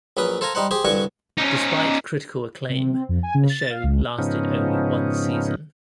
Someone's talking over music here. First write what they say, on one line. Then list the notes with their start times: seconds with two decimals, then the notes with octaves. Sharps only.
Despite critical acclaim, the show lasted only one season.
0.17 A#1 F#3 C#4 B4 D#6
0.41 A4 C5 F5 G#5 A#5
0.55 G3 D#4 C5 F#5
0.71 G4 G#4 C5
0.85 C2 G2 D3 F#4 G#5 C#6
1.38 C#4 D#4
2.69 C3
2.93 C4
3.09 F2
3.23 G#5
3.34 C#3
3.50 A6
3.70 F5
3.84 C#2
4.18 G#2 C#3 F3 B3 C#4 D#4